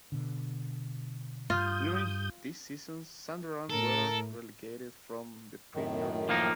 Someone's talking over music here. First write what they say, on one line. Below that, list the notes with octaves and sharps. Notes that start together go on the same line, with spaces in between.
During this season Sunderland were relegated from the Premier League.
B2 D3
G2 F4 D#6 G6
A2 A4 A#4
F#2 A2 D#3
F3 A#3 D#4